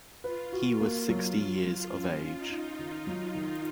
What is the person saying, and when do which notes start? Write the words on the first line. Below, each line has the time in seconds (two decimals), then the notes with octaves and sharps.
He was sixty years of age.
0.24 F4 B4
0.52 F#4
0.80 A#3
1.09 F#3
1.37 F#3
1.65 F#3
1.93 C#4 F4
2.22 C#4
2.36 D#4
2.50 C#4
2.78 D#3 F4
3.07 F#3
3.35 D#3